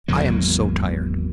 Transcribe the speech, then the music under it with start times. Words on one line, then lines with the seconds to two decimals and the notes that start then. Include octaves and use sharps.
I am so tired.
0.08 G#1 E2 F#3 A#3